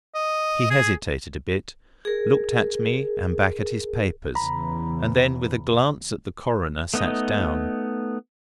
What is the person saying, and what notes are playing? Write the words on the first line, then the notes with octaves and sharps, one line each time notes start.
He hesitated a bit, looked at me and back at his papers, and then, with a glance at the coroner, sat down.
D#5
G#4
G#4 A#4
E2 C#3 E3 A#5 B5
A3 B3 D#4 D#5